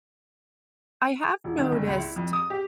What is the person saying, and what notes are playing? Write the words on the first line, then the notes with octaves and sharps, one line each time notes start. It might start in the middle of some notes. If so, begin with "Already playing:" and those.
I have noticed
E1
D#3
G1
C#2
E4
F2
D#6
G4